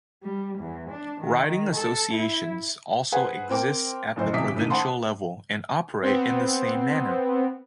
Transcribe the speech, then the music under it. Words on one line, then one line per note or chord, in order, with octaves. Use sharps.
Riding associations also exist at the provincial level and operate in the same manner.
G3
E2
D4
D#3
A4
E4
G#4 B4 C5 F#5 G#5
C4 A#4 G5 D6
F#1 A2 C5 D#5
D#1 C3 E5 D6 D#6 B6
A2 D#3 A3 C#4 D#4 D#7
C5 F#5 A5 B5 C6
B3 C4